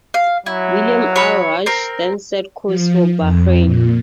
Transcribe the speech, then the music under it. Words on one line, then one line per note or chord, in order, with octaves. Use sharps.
"William R. Rush" then set course for Bahrain.
F5
F#3 E4
C#5 B5
C4 A#4
F3
F2
A#2